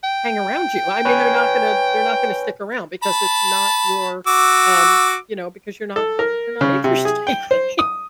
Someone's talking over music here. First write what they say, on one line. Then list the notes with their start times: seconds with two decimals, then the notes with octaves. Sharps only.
hang around you. I mean, they're not gonna they're not gonna stick around, because it's not your, um you know, because you're not you're not interesting. I mean
0.04 G5
1.05 B4 C#5 G#5
3.03 A5 B5
4.27 F#4 D6 E6
5.96 A4
6.19 A#4
6.61 C#3
6.84 C3
7.05 G#4
7.27 G5
7.51 C5
7.79 D#6